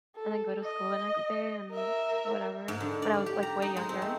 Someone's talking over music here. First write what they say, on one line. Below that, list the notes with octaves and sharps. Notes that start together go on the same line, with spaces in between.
and then go to school the next day and whatever, when I was, like, way younger,
A4
D#5
A#4 E5
G#2
D3
D5
C#4
G4
A#5
D#4
G#3
C4
A3